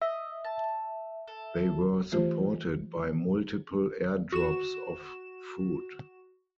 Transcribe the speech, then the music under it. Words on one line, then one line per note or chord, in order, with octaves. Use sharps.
They were supported by multiple air drops of food.
D#5 E5
A5
A4
E3 A3 F4 G4 C5
F#4 E7